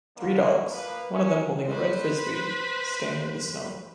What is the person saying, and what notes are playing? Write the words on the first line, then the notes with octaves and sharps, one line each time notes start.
Three dogs, one of them holding a red Frisbee, stand in the snow.
D3 F#3 A#3
F3 A#3 B4
C#4
B4 C5